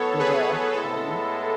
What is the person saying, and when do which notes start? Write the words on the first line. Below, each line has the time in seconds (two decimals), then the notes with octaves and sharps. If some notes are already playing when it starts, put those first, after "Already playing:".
You're there, are you?
Already playing: A2 F#3 B3 A4 C#5
0.19 G#4 B4
0.72 A2 G#3 B3 E4 A4